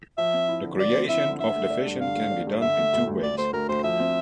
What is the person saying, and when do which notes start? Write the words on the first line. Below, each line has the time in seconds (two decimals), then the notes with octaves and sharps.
The creation of the vision can be done in two ways.
0.18 F3 E5
0.33 C4
0.48 E4
0.63 D3
0.78 F3 D5
0.95 C4
1.09 E4 E5
1.25 D3
1.40 D3 E5
1.56 A3
1.70 D4
1.86 G2
2.01 D3 F5
2.16 A3
2.31 D4
2.47 G2
2.62 D3 E5
2.78 A3
2.93 D2
3.07 D2
3.23 D3 D5
3.38 A3 C5
3.53 D2 A#4
3.69 D2 C5
3.84 F3 E5
4.00 C4